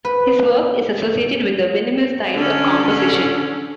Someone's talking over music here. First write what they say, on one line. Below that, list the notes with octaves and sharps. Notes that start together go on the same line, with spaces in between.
His work is associated with the minimal style of composition.
B4
D3 C#4